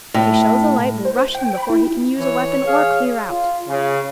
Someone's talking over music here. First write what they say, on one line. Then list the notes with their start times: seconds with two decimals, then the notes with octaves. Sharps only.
If he shows a light, we'll rush him before he can use a weapon or clear out.
0.14 A2
1.05 C5
1.35 G5
1.57 B5
1.70 E4
2.19 E3 C#5
2.67 G#4 F5
3.30 F4
3.67 C#3